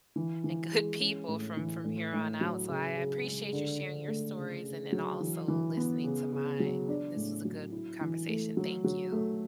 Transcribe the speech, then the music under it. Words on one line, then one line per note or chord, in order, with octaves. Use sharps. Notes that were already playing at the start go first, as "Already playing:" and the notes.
and good people from from here on out. So I I appreciate you sharing your stories and and also listening to mine. And this was a good conversation. Thank you.
E3
E3
G#3
C#4
A2
E3
A2
A2
F#3
C#3
C#3
G#3
D3
D3
A3
C#3
C#3
F#3
E3
E3
B3
C#3
C#3
F#3
D4
A2
F#3
E4
E3
A3
F#3
F#3
A3